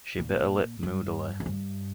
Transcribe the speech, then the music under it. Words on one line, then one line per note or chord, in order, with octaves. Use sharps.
She bit her lip moodily.
A#2
G2
F2
G2